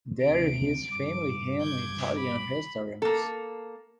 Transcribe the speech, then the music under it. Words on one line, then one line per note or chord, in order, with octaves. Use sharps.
There his family ran Italian restaurants.
D2 C3 D7
G2 D6
G6 G#6
B5
A#3 A4